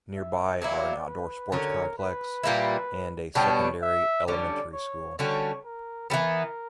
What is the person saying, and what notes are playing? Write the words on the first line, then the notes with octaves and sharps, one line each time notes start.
Nearby are an outdoor sports complex and a second elementary school.
E5
F#3 A#3 E4 D5
B4
D3 F#3 C#4 A#4
B4
A#2 G3 A#3 E4
B2 G3 B3 D4 C#5
E5
D3 G3 C#4 D5
C#5
D3 G3 C#4 F#4 C#5
A#4
E3 G3 B3 A#4